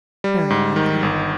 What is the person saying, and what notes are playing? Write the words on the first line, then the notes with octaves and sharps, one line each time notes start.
"Very likely."
G3
G#2
D#3
G1